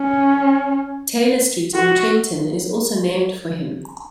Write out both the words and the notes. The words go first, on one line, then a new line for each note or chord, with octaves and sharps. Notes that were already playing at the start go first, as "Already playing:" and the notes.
Taylor Street in Trenton is also named for him.
Already playing: C#4
F#4